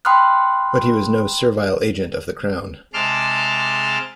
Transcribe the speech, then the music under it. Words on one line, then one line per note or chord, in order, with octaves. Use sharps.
But he was no servile agent of the crown.
G5 B5 C6 D#6 F6 F#6
C3 G#3 A5 C6 D6 F6